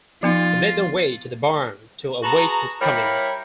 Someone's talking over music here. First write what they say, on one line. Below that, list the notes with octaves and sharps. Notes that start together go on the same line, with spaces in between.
They made their way to the barn to await his coming.
F3 B3 D#4 F4
F#4 G#4 B4 A5 A#5
G3 E4 A#4 C#5 F5 B5